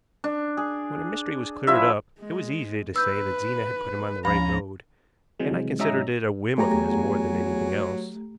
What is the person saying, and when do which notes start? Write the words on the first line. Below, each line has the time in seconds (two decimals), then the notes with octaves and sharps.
When a mystery was cleared up, it was easy to say that Zena had put him on the right road, and I considered it a whim of his more than anything else.
0.24 D4
0.57 G#4
1.67 F3 E4 E5
2.21 G#3
2.96 B4 E6 G6
4.25 D2 F3 C#4 A#5 B5
5.40 C3 E3 F#3 G#3
5.79 G#2 F#3 C#4 D#5 E5 A#5
6.58 E2 F#3 A3 G4 G#5 A#5